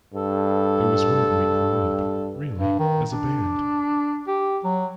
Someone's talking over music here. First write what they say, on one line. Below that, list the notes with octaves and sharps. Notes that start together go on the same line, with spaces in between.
It was when we grew up, really, as a band.
G2 A4
G2
D#3
D4
G4
F#3